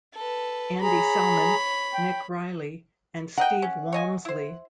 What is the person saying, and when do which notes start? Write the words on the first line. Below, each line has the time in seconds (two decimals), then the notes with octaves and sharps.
Andy Selman, Nick Riley and Steve Walmsley.
0.14 A4 B4
0.82 G#4 C#5 A#5 B5
1.94 G5
3.37 A#4 D#5 F#5 G5
3.62 C#4
3.93 C#5 D#5 G#5
4.25 E4 C5